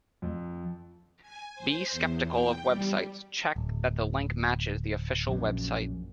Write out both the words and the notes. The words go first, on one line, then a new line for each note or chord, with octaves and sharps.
Be skeptical of websites, check that the link matches the official website.
F2
G#5
C5
E2
G5
G3
D1
A#1 F#2